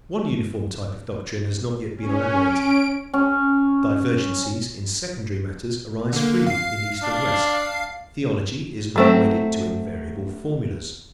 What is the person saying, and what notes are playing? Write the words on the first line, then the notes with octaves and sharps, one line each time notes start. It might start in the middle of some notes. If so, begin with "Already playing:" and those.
One uniform type of doctrine has not yet been elaborated; divergencies in secondary matters arise freely in East and West; theology is not wedded to invariable formulas.
C#4
D7
C#4
D3 A#3
F5 C7
D4
F#3 A3 C4